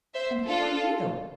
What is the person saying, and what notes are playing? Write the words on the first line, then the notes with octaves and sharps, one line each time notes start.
"And who are you?"
C5 E5
F4 A4